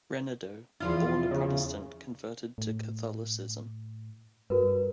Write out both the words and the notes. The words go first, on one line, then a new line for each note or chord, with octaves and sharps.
Renaudot, born a Protestant, converted to Catholicism.
E2 F3 E4 F4
C#3
A2
G2 F#4 A#4 B4